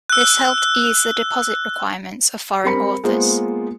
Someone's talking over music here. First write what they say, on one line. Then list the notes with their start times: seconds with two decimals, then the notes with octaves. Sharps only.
This helped ease the deposit requirements of foreign authors.
0.10 E6 F#6
2.64 G3 C4 A#4 B5 C#7
3.04 G#3 A#3 B3 F4 C5